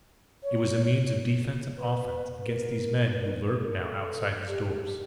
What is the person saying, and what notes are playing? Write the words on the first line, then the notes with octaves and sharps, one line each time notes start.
It was a means of defense and offense against these men who lurked now outside his doors.
C#5
B4
A#4
B4
A#4
B4
B4
A#4
A4
G4